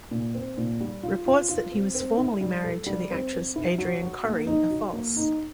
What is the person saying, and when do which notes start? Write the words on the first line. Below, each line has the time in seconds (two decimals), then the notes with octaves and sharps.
Reports that he was formerly married to the actress Adrienne Corri are false.
0.11 A#2
0.35 C4
0.58 A#2
0.81 G3
1.03 F4
1.26 F4
1.49 F4
1.71 C4
1.95 C4
2.18 E4
2.41 G3
2.64 A4
2.86 G3
3.10 C4
3.33 C4
3.56 E4
3.78 F#3
4.01 F#4
4.25 A#3
4.47 D#4
4.70 F#3
4.93 A#3
5.16 D#4